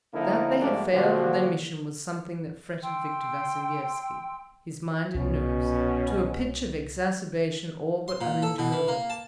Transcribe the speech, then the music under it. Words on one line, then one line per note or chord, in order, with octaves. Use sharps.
That they had failed of their mission was something that fretted Victor Vassilyevski, his mind and nerves, to a pitch of exacerbation all but unendurable.
D3 F3 A#3 D#4 E4 A#4
G#2 F3 G3 A3 A#3 D4
A#2 D3 F3 A#3 F#4 G4
G5 C6 E6
C2 B2 C#4
C6
A#2
A4
B2
E3
A#3
A5